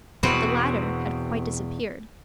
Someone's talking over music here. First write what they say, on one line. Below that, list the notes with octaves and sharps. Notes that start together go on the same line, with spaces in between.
But the ladder had quite disappeared.
E2 B2 C4 F#4 B4